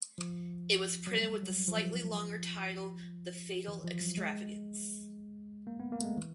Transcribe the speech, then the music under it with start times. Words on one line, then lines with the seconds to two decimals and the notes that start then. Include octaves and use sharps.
It was printed with the slightly longer title The Fatal Extravagance.
0.18 F3
1.07 F#3
1.18 G3
1.43 F#3
1.68 F3
3.68 E3
3.84 F3
4.01 F#3
4.17 G#3
5.67 A#3
5.80 B3
5.92 A#3
6.01 A3
6.04 G#3
6.17 E3